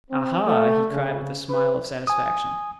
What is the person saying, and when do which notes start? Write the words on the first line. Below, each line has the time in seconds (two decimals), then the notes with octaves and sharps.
"Aha!" he cried with a smile of satisfaction.
0.11 C4
0.45 A3
0.92 C#3
1.48 B4
2.07 G#5 D#6